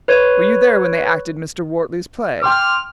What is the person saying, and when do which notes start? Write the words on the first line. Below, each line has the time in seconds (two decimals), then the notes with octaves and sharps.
Were you there when they acted Mr. Wortley's play?
0.08 B4 C#5
2.42 G5 C6 D6 F6